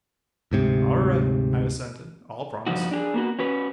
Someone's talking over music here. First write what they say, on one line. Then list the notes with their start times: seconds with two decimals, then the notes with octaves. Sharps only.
"All right," I assented, "I'll promise."
0.51 D2 G#2 C3
2.67 G2 F3 D#4 F#4
2.91 D4 G4 G#4
3.14 A#3 B3 F#4
3.39 C#4 F#4 B4